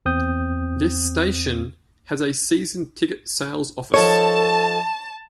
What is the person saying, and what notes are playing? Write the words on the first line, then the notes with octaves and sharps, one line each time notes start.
This station has a season ticket sales office.
E2 C4 D#6 G6
F3 D#4 A4 A#4 C#5 A5